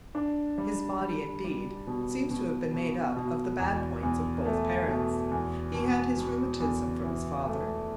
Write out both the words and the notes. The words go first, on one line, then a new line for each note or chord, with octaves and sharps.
His body, indeed, seems to have been made up of the bad points of both parents: he had his rheumatism from his father.
D4
G3
G3
G3
B2
B2
B2
B2
E2
E2
A3
B2
E2
B2
B2
E2
E3
A3